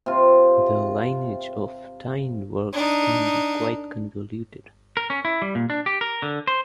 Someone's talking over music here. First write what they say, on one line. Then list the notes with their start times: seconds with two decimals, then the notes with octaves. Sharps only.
The lineage of tie-in works can be quite convoluted.
0.06 C3 F4
2.73 D4 D#4
4.97 A#4
5.10 C#4
5.25 E4
5.42 G3
5.55 A#2
5.70 D4
5.86 G4
6.01 A#4
6.22 D3
6.47 C5